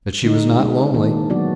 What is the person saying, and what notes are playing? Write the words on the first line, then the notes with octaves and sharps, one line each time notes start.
But she was not lonely.
D3 G#3 D#4
B2 G#3 D4 G#4
D#3 A#3 D4
F#3 B3 D4 F#4 D5